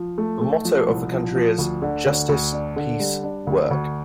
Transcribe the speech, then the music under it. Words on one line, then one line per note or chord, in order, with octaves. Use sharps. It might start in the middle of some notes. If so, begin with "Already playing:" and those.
The motto of the country is : "Justice, Peace, Work".
Already playing: F3
A3
A3
F3
C2
F3
F3
D2
D3
D2
D2
D4
D3
G3
D4
D2
D2